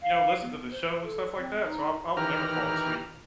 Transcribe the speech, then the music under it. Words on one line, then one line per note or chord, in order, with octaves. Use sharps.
you know, listen to the show and stuff like that. So, I w I will never fall asleep.
F5
B3
C5
A4
C4
D#4
D#3 E3 G4 B4 A#5 F6